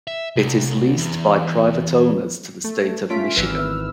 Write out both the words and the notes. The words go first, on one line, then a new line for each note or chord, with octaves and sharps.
It is leased by private owners to the state of Michigan.
E5
C2
E2
A3
A3 C#4 F4 B6 D7
G#1 E3 B4 E6 F6